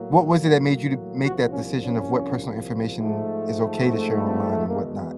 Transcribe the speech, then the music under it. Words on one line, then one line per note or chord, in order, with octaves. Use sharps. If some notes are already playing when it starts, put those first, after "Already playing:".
What was it that made you to make that decision of what personal information is okay to share online and what not?
Already playing: A2 F#3 A#3
C2 A#2 F3 F#4
C#4
C#4
G#2 F3 A3
C4
C4
E2 B2 G#3 A#3